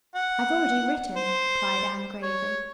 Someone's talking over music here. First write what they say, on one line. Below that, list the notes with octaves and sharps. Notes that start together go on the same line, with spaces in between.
"I have already written," replied Anne gravely.
F#5
C5
C#5